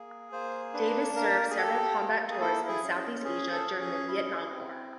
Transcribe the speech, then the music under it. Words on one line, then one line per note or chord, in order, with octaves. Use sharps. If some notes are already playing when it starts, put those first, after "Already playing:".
Davis served several combat tours in Southeast Asia during the Vietnam War.
Already playing: A#3 G#4
A#3 C5
D4 B4
A#3 A#4
G#4
G4 A4
A#3
G#4
E4 A4
G#4
C#4
G#4
A4
C#4
G#4
E4
C4